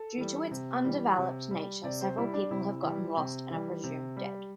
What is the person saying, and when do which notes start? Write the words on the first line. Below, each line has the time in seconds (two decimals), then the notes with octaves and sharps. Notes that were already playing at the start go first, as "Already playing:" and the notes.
Due to its undeveloped nature, several people have gotten lost and are presumed dead.
Already playing: A4
0.18 E3 G3
0.51 C3
0.84 E3 G3
1.18 C3
1.51 G3
1.83 C3 D5
2.01 C5
2.18 G3 E4
2.34 D4
2.51 C3 E4
2.83 E3
2.89 G3
3.17 C3
3.50 E3 G3
3.84 C3
4.17 G3